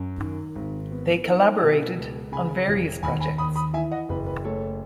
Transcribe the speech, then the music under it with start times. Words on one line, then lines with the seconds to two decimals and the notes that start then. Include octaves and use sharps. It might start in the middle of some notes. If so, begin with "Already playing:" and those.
They collaborated on various projects.
Already playing: F#2
0.20 D#3
0.56 G#1
0.91 B3
1.26 D#4
1.62 B2
1.98 C#2
2.32 C#3 G#5 B5
2.68 E1
3.03 D#2 G#5 B5
3.20 G#5 B5
3.38 D#2 B5 D#6
3.56 B5 D#6
3.73 E3 E5 G#5
3.91 D#5 F#5
4.09 F#1 B4
4.26 B4
4.45 A3 A4 C#5